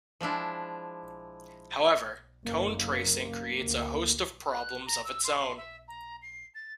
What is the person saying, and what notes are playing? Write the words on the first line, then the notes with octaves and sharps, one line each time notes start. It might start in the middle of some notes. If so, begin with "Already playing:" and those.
However, cone tracing creates a host of problems of its own.
F3 G#3 D4 E4
F#1 A#3
D2
F#6
A#5
E6
C6
E5
A#5
C7
A6